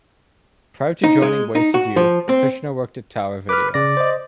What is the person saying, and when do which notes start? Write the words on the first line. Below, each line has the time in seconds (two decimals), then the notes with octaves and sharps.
Prior to joining Wasted Youth, Kushner worked at Tower Video.
1.04 D#4
1.22 G#3
1.55 D#4
1.74 F#4
1.96 F3
2.29 C4
3.49 B4 D6 F6
3.74 C#3 D5 A#6
3.97 C5 D#5